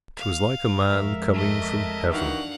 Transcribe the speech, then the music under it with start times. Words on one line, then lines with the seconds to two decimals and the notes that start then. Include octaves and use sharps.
It was like a man coming from heaven.
0.17 F5
0.88 F2 G#3 A#4 E5
1.33 A3 D#5
2.11 D#3 E3 D4 F#4 F5 F#5